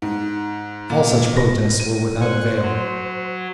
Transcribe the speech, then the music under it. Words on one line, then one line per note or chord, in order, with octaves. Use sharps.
All such protests were without avail.
G#2
A#2
A#6
D#7
C5 G#5 C#6 F#6
F#3